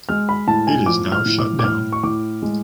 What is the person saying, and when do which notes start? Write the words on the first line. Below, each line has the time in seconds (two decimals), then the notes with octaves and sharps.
It is now shut down.
0.09 G#3 F6
0.29 B5
0.47 A2 A5
0.67 G#5
0.86 F3 D6
1.12 F6
1.26 A2
1.38 D6
1.59 D6
1.64 A2 F6
1.92 C#6
2.03 A2 D6
2.42 G#3